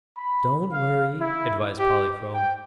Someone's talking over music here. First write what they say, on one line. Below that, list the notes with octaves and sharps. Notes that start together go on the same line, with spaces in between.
"Don't worry," advised Polychrome.
B5
F5
E4
G4
G5